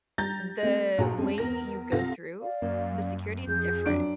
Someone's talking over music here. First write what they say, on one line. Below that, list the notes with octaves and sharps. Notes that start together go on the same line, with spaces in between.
the way you go through the security is different,
G3 A#5 G6 A6 A#6
A3 C4
A#1 F#4 G#4 A#5
F2 G#3 C4 C#4
E2 B3 A#4 A#6
C2 C4 F4 A4 A#6
D5 F5
F#2 A#3
F2 G#4 G6
F#2 D4 D7